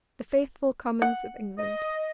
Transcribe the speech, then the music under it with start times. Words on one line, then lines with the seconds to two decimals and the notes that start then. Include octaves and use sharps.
"The faithful Commons of England."
1.02 F#5
1.58 D#5